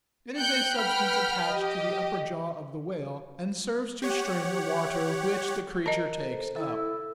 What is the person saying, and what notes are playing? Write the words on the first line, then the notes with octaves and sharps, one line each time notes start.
It is a substance attached to the upper jaw of the whale, and serves to strain the water which the creature takes up.
G5 F#6 G6 C#7
B4 F#5 G5 B5 F6 B6
G4 D#5
G4 C#5 F#5
A#4 D#5 A5
A4 C5
E4 A4 E6